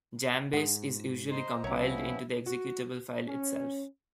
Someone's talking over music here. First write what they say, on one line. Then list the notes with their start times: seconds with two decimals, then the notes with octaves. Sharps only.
Jambase is usually compiled into the executable file itself.
0.53 G#2 G#3 F#5
1.31 C5 D#5 A#5 C6
1.64 C2 F3 B3 C#4 E4 C#5 A#5
2.46 F#4
3.27 C#4